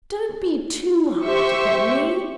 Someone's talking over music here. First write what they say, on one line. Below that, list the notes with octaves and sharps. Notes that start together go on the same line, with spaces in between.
'Don't be too hard upon me.
G4 C5 E5 C#6